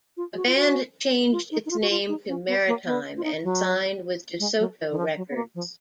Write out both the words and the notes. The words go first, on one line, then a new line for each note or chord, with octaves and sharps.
The band changed its name to Maritime and signed with DeSoto Records.
F4
F#4
F4
F#4
F4
D#4
D#4
F4
F#4
F4
D#4
C#4
B3
A#3
B3
F4
D#4
F#3
G#3
F#3
D#3
F3
F#3
B3
A#3
F3